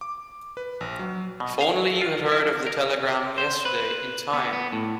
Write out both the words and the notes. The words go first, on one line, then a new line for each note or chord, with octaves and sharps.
If only you had heard of the telegram yesterday in time!
D6
B4
A#1
F#3
B2
F5
F4
E4
A#4
C5
B4
B3
B3
A2